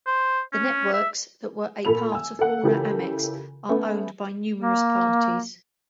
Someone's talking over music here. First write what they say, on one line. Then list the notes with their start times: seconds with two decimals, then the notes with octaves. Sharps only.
The networks that were a part of Warner-Amex are owned by numerous parties.
0.07 C5
0.53 C#4
0.94 E5
1.85 A#2 A#3 A4 B5 F7
2.12 G#5 E6
2.39 A4 F#5
2.63 C#3 E3 F4 G4 A4 A#4
3.69 A3 B3 C#4
4.60 A#3